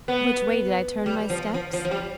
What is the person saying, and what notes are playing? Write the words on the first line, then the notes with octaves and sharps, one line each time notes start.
Which way did I turn my steps?
B3
G3
F3
F3
F3
F3
G3